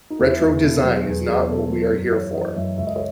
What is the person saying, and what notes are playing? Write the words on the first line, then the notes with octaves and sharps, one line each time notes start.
Retro design is not what we are here for.
D#4
E2 E4
E2
B2
F#3
E2 G#4
E2 G#4
B2 A4
F#3 B4
F#2
E3 C#5
E3 D#5
F#2 E5
C#2 E5
D#5
C#5